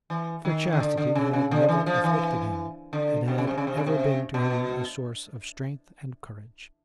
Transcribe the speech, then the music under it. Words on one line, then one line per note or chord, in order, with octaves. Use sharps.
For chastity had never afflicted him; it had ever been to him a source of strength and courage.
E3
D#3
D#3
D3
D3
C#3
C#3
D3
E3
F3
E3
D3
C3
C#3
C3
C#3
C3
C#3
C3
B2